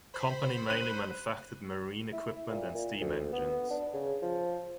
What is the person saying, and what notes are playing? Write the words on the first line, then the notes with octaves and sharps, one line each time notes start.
The company mainly manufactured marine equipment and steam engines.
C5 B5
F#6 D#7 F#7
E4
A#2
A#2
D2
B3
D4
C#3
F3